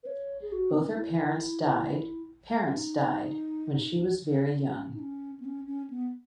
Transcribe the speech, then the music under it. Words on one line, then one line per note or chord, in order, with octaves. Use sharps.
Both her parents died parents died when she was very young.
B4
C#5
G#4
F#4
B3
C#4
D#4
E4
C#4
D#4
C#4
D#4
C#4
B3
C#4
C#4
B3